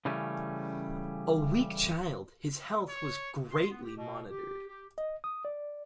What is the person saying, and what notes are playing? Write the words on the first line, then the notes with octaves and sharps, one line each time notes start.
A weak child, his health was greatly monitored.
C#3 E3 G3 A3 C#4
C#5
C6
B3
G4
B2
G4
G4
D#5
D#6
D5